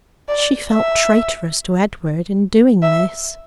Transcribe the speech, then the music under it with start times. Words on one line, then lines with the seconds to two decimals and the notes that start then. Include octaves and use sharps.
She felt traitorous to Edward in doing this.
0.29 D5
0.71 E5
2.83 E5